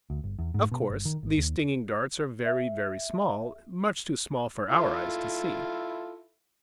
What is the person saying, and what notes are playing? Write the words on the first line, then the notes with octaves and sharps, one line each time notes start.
Of course these stinging darts are very, very small, much too small for our eyes to see.
D2
G1
E2
G#2
B2
G1
D#3
G#1
D#2
E5
E4 F4 A4